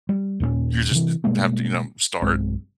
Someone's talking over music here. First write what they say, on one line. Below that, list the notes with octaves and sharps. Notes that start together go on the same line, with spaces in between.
You just st have to, you know, start
G3
D#2 A#2 A3 C#4
C3 E3
B2 G3 G#3 A#3
B1 G2 G#3 C4